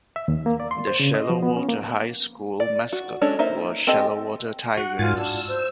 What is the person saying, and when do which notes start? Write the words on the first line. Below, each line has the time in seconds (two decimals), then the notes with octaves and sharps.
The Shallow Water High School mascot was Shallow Water Tigers.
0.16 E5
0.28 D#2
0.46 A#3
0.60 D5
0.71 C6
0.88 C5
1.00 C#3
1.14 D#5
1.30 F3
1.43 B3
1.56 C#4
1.69 A#3
2.60 D5
2.92 F#4
3.21 G#3 C#4 D4 A4 C#5
3.39 A#3 D#4 C5 E5
3.87 C4 G4 A4 D#5 G#5
4.77 F#4 F#5
4.99 G#2 F4 G#5 A6
5.17 D4 E6
5.48 C5